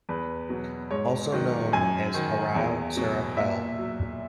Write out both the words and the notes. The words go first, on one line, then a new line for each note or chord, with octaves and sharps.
Also known as Harab Serapel.
E2 B4
B2 F#3
G#2 C#5
D#3 F#3
F#2 G#5
D#3 F#3
E2
B2 F#3
A#2 E5
F#3